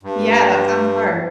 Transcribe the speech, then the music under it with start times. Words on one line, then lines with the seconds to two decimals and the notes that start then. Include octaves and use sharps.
Yeah, that sounds hard.
0.03 G2